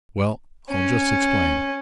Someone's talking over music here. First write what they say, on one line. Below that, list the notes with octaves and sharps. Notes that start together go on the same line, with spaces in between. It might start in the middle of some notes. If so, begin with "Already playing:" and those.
Well, I'll just explain.
C#4